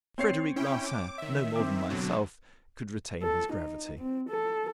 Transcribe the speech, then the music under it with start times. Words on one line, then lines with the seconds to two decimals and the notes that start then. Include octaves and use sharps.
Frederic Larsan, no more than myself, could retain his gravity.
0.18 C4 C#5 C7
0.56 C#4 E4 G5
0.86 D6
1.18 D#3 E5
1.56 C4 D6
1.90 B2 D3 F#3
3.22 A4
3.53 D#4
3.99 C4
4.30 A4